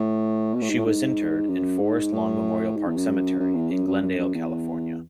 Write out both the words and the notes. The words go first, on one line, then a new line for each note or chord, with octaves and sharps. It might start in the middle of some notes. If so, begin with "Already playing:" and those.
She was interred in Forest Lawn Memorial Park Cemetery in Glendale, California.
Already playing: A2
B2
A2
G#2
A2
G#2
F#2
G#2
A2
G#2
E2
F#2
F#2
E2
F#2
F#2
F#2
F#2
E2